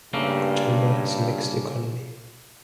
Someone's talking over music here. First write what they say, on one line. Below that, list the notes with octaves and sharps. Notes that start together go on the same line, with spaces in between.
Gotemba has a mixed economy.
G2 C#3 A3 A#3